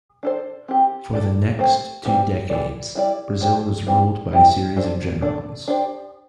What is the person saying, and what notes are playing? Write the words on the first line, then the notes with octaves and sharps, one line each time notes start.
For the next two decades, Brazil was ruled by a series of generals.
D4 A4 C5
C4 E4 G4
D4 A4 D5
A3 C4 G4 C5
E3 G3 C4 G4
E3 C4 A4 D5
G3 E4 A4 D5
D4 G4 C5
E3 G3 C4
G3 C4 E4 G4
D4 A4 C5
D4 A4 D5
D4 G4 C5